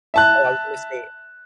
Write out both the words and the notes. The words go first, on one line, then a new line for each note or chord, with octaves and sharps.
Oh, I was gonna say
E5 A5 F#6